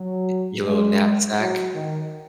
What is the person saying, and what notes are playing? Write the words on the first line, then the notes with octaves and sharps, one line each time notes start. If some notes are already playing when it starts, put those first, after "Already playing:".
I your little knapsack.
Already playing: F#3
G#3
F#3
D#3